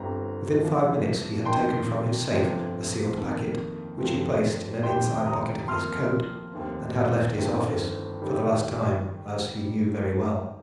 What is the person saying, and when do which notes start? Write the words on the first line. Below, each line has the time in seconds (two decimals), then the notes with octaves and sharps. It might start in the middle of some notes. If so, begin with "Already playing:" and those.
Within five minutes he had taken from his safe a sealed packet, which he placed in an inside pocket of his coat, and had left his office--for the last time, as he knew very well.
Already playing: G1 G2 G3 C4 A#5
0.61 F2 C3 F3
1.45 F2 D#3 A#3 G5 C6
2.30 G1 F2 C3 F3 C4
3.15 F2 D#3 A#3
3.99 G1 F2 F3 C4
4.83 F1 D#2 D#3 G3 C4 G5 C6
5.26 A#5 D#6
5.68 F2 F3 A#3 C6 F6
6.53 F1 D#2 D#3 C4
7.37 G1 G2 D#3 C4
8.22 D#3 G3